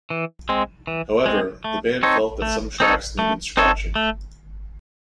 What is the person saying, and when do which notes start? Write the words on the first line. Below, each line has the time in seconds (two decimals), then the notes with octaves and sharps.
However, the band felt that some tracks needed scratching.
0.10 E3
0.49 G#3 C4
0.87 E3
1.26 G#3 C4
1.64 A3
2.03 C4 D#4 A4 C#5
2.42 A3
2.80 C4 D#4 A4 C#5
3.19 A3
3.57 C4 D#4 A4 C#5
3.96 A3